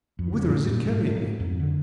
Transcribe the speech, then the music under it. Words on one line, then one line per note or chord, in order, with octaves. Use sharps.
Whither is it carrying me?
F2
C#3
A2
A#2
G#2
A3
F#3
F2
D3